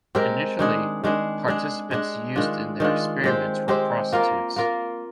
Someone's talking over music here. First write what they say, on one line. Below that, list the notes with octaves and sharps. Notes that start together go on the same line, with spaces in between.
Initially, participants used in their experiments were prostitutes.
G#3 C4 G4 A#4
D#3 G#3 D4 G#4
D#3 G#3 D4 G#4
G#3 D4 G#4
G#3 D4 G#4
D#3 G#3 D4 F4
D#3 G#3 D4 F4
G#3 C4 G4 C5
G#3 C4 G4 C5
A#3 F4 A#4
A#3 F4 A#4